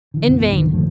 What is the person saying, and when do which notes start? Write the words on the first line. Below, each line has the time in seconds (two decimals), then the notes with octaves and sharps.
In vain!
0.14 D3 E3
0.28 B1 F#2 B3
0.52 C#2 G#2 D#3 D4
0.73 F#2 D3 F3 A3